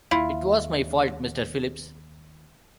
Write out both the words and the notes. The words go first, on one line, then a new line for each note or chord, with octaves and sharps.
It was my fault Mr. Phillips.
D#2 E4 F4